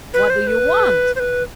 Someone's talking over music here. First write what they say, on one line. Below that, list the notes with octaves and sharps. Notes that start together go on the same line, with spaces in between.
"What do you want?"
B4
C5
B4
C5
B4